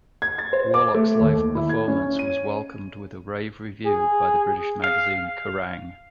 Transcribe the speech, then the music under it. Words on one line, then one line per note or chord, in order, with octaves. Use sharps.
Warlock's live performance was welcomed with a rave review by the British magazine Kerrang!
G#6
A6
C5
D6
A3
D#2
E4
G#6
C#4
D#7
G#4
F5